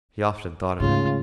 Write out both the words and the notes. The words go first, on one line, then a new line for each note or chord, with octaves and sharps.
He often thought of it.
D2 G#2 C#3 F4